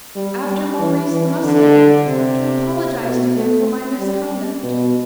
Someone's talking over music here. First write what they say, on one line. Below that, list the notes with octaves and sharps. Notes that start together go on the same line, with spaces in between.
"After Maurice the mustanger--to apologise to him for my misconduct."
G3
G3
E3
E3
D3
C3
B2
A3
G3
B2